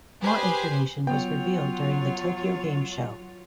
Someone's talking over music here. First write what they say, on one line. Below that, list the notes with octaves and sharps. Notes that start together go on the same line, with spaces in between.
More information was revealed during the Tokyo Game Show.
G4 G#4 B4 C5 G#5
F#3 B3 F4 C#5 G5